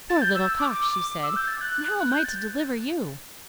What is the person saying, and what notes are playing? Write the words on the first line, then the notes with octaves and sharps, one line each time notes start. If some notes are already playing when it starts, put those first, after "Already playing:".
'Poor little cock!' she said, 'and how am I to deliver you?'
A6
G6
E6
D6
D6
E6
G6
A6
F#6
F#6
G6
A6